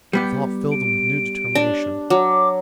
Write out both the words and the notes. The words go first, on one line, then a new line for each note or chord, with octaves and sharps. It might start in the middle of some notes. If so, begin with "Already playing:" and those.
The thought filled them with new determination.
G3 B3 G4
D7
D4
F#3 D6